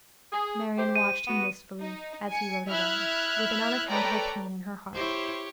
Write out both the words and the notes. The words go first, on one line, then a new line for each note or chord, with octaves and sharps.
Marian watched him wistfully as he rode away, with an unaccountable pain in her heart.
G#4
G4 C5
D#7
B3 F#4
D#4
G#5 C#7
E4 E5 F6 F#6 G#6
A4 B4 C#5 D5 G5 A#5
E4 G4 C5 C#5